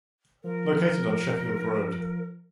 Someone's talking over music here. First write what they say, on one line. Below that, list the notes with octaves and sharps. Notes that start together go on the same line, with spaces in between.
Located on Sheffield Road.
F3 A#4